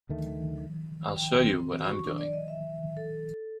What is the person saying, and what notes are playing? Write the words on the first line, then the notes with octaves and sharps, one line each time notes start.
I'll show you what I'm doing.
D2 D#3 A3
G5
C4
F#4
C#6
D4
D5
D#5
E5
A4